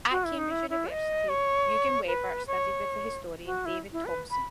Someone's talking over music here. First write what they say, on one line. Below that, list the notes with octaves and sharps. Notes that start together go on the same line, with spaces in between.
At Cambridge University, Eugen Weber studied with the historian David Thomson.
F#4
E4
D#4
E4
E4
D#5
C#5
B4
C#5
F#4
E4
E4
B4
B5